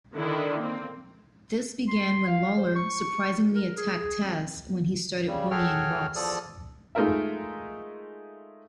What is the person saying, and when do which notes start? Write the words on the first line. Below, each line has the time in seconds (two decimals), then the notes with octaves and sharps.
This began when Lawler surprisingly attacked Tazz when he started bullying Ross.
0.14 D3 D#3 D4 E4
0.58 A#3 C4
1.88 C6
2.27 F5
2.57 C5
2.75 C#6
3.55 A#4
3.77 G#4
4.00 G#4
4.23 C4
5.28 C#3 G3
5.51 F#4 G#4 A4 C#5 G5 F6
6.16 E2 F3 A4 D5 D#6
6.95 G#3 A3 D#4 F4 A#4 E5